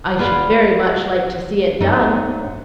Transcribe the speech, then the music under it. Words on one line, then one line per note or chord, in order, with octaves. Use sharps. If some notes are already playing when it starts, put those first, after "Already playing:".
'I should very much like to see it done.
F4 G#4 B4 D5 F#5
G#2 F#3 A3 D4 D#4